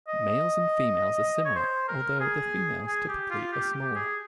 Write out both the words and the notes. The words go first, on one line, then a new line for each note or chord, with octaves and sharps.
Males and females are similar, although the females typically are smaller.
D#5
C#5
C5
A#4
G#4
G#4
G4
F4
G4
G4
G#4